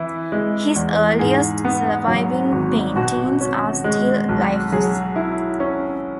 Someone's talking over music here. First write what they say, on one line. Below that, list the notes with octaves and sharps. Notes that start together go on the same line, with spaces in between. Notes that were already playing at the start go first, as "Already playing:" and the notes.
His earliest surviving paintings are still lifes.
Already playing: E3 E4 B4
G#3
E2
G#2 G#4
B3
F#3
G#1
B2 F#4
C#4
G#3
B1
F#3 G#4
E4
C#4